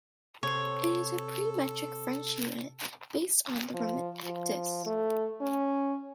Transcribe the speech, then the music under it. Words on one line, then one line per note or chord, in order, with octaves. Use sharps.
It is a pre-metric French unit based on the Roman "actus".
C3 A4 C5 C#5
F3
F3
A3
C#4